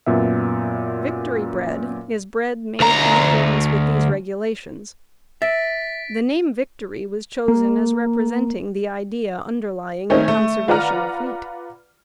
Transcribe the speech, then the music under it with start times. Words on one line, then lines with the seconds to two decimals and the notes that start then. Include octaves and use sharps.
Victory bread is bread made in accordance with these regulations. The name "Victory" was chosen as representing the idea underlying the conservation of wheat.
0.06 F#2 A#2 B3 E5
2.80 D2 A#5
5.42 E5 A6 B6 D7
7.48 A#3
10.10 D#3 A3 C4 C#4 D#4
10.28 A3
10.68 F4 B4 D5 F#5 A#5 F6